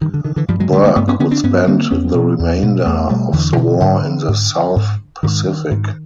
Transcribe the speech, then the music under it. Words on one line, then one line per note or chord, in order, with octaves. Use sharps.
Burke would spend the remainder of the war in the South Pacific.
G2 D#3
D3
D3 D#3
D3 E3
G2 F3 G3
F#3 G#3
D3 G3 A3
G#3 A#3
G2 A3 B3
B3 C#4
D3 B3 C#4
C4 D4
G2 B3 C#4
D3 A#3 C4
E2 B3 C#4
B2
E2
B2
E2 A3 B3
B2 G3 A3
E2 D3 E3
B2
G#2 D3
G#2
G#2
G#2 D#3
G#2